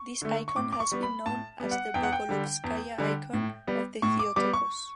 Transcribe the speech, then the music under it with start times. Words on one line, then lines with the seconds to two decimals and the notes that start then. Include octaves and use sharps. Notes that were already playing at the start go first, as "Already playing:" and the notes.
This icon has been known as the Bogolubskaya Icon of the Theotokos.
Already playing: C#6
0.22 D3 A3
0.48 C#6
0.56 A2 D6
0.73 D6
0.80 C#6
0.91 G3 B3
1.03 B5
1.26 A2 A5
1.60 G3 B3
1.71 F#5
1.94 E2 G5
2.03 F#5
2.12 G5
2.29 D3 G3
2.64 E2
2.98 D3 G3
3.33 A2
3.67 G3 B3
4.02 A2 C#6
4.19 D6
4.36 G3 B3 D6
4.54 C#6